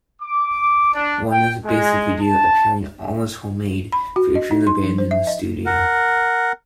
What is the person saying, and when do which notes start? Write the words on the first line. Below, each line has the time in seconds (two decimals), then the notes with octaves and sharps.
One is a basic video, appearing almost homemade, featuring the band in the studio.
0.22 D6
0.93 D4
1.31 G5
1.65 G#3
2.20 A5
3.92 B5
4.16 F#4
4.35 D#5
4.51 D#4
4.67 C6
4.84 F3
4.98 C5
5.11 E5
5.27 D#5
5.66 A#4 F#5